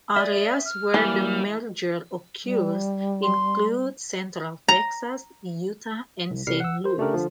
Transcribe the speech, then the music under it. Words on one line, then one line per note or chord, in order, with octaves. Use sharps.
Areas where the merger occurs include central Texas, Utah, and Saint Louis.
D5 E5 D#6
F6
E3 G3 A#3 E4
G3
C6
A#5
C2
C2 G3 F6 C7 C#7
F#5 E6
A#4 C5
C#3 A3 D4 G4 A#4
D3 F3